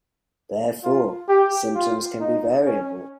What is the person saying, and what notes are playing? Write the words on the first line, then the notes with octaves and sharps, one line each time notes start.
Therefore, symptoms can be variable.
F4
G4
F4
D#4
C#4